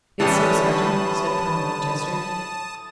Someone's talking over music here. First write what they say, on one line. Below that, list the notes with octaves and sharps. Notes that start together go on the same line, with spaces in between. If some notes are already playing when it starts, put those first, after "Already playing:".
"It's so, sergeant," said Colonel Winchester.
A2 E3 G3 C#4 A5 B5 D#6